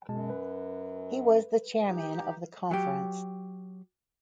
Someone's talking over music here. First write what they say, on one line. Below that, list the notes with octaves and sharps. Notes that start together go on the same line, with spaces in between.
He was the chairman of the conference.
F#2 B2 G#3 A5
B4
D#4 G4
F#3 G4